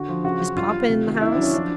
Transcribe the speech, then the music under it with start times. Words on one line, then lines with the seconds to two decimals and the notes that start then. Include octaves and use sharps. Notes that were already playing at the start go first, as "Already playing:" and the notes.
"Is papa in the house?"
Already playing: D3 F#4
0.09 F3
0.24 C#3 F#4
0.40 F#3
0.57 G2 F4
0.72 F#3
0.89 C3
1.05 D#3
1.21 C#2 E4
1.32 D4
1.38 F#3
1.43 C#4
1.54 F3 D4